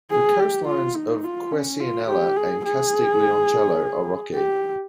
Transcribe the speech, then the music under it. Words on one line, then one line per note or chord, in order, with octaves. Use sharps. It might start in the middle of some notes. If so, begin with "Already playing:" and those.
The coastlines of Quercianella and Castiglioncello are rocky.
G#4
G4
F4
D#4
F4
C#4
F4
G4
G#4
G#4
G4